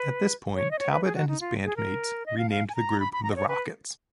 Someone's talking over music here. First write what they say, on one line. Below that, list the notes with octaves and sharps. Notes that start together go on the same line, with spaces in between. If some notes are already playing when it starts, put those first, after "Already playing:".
At this point, Talbot and his bandmates renamed the group The Rockets.
Already playing: B4
C#5
D#5
C#5
B4
G#4
F#4
D#4
F4
G#4
A#4
D#5
F5
F5
G#5
A#5
B5
B5
A#5
D#5
C#5
B4